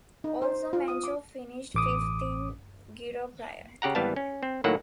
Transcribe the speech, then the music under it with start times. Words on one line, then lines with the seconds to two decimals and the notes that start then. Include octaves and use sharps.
Also Menchov finished fifth in Giro prior.
0.24 D#4
0.42 C5
0.73 F4
0.88 D#6
1.04 D6
1.75 A1 D6 D#6
3.82 C#3 G4 F#5 A#5
3.95 G#1 E3 G3 B3 F5 A5
4.16 C#4
4.43 C4
4.64 A2 D#3 F#3 A#3 A4 F#5